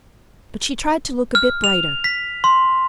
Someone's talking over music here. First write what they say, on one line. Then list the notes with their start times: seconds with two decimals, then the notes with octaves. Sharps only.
But she tried to look a bit brighter.
1.35 F6
1.64 F7
2.04 B6
2.44 C6